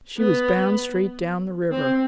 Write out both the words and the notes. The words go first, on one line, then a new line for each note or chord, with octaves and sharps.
"She was bound straight down the river."
B3
C4